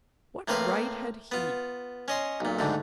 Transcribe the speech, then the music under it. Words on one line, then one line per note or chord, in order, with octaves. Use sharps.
What right had he?
A2 A#3 C4 B4 C5 F5
B3 F4
C#4 D#5 C6
B1 A#2
D2 G#2 D3